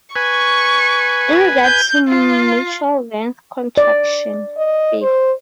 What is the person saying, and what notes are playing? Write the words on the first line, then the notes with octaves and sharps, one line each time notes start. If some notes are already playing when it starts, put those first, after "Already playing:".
In regards to mutual length contraction, Fig.
B4 G#5 C#6
G6
F4
D5
D#5
C5